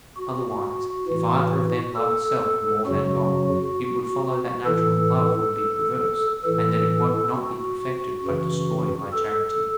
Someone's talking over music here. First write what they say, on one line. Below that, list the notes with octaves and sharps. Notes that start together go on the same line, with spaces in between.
Otherwise, if either of them loved self more than God, it would follow that natural love would be perverse, and that it would not be perfected but destroyed by charity.
F#4
A2 E3
A4
F#2 C#3 F#3 F#4
A2 E3 A4
A2 E3 A4
F#4
F#2 C#3 E3
A4